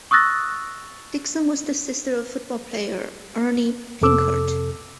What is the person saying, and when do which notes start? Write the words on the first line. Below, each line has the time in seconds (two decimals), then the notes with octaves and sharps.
Dixon was the sister of football player Erny Pinckert.
0.11 C#6 D#6 E6 F#6 A6 A#6
4.02 F2 C3 A4 D6 E6